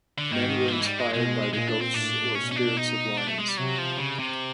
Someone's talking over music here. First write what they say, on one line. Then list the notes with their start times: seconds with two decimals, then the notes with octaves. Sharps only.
Men were inspired by the ghosts or spirits of lions.
0.18 D3
0.31 G#2 D#3
0.68 F3
0.72 E3
0.81 G#3
0.86 G3
0.99 G#3
1.13 B2 G#3
1.53 A#2 G#3
1.67 D4
1.81 C4
1.94 A2 D4
2.35 B2 C#4
2.51 C#4
2.56 D4
2.77 D#4
3.17 D4
3.27 A3
3.38 G#3
3.48 G3
3.57 C3 F#3
3.78 F3
3.98 C#3
4.19 C3